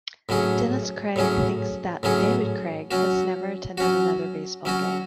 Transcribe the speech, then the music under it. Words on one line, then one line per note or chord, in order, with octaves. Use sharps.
Dennis Cregg thinks that David Cregg has never attended another baseball game.
A2 F#3 C#4 G#4
A2 F#3 C#4 G#4
A2 F#3 C#4 G#4
F#3 C#4 F#4
F#3 C#4 F#4
F#3 C#4 F#4